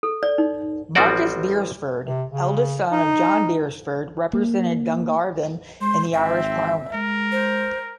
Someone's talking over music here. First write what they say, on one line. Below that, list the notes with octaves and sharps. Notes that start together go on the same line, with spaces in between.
Marcus Beresford, eldest son of John Beresford, represented Dungarvan in the Irish Parliament.
A4
D5
D#4
A1 F3 G3 C4 F#4 D5
C3
C#3
D#4
A#3
G#3 C5 C6
G#1 C4 E5
G#3 A#4
C5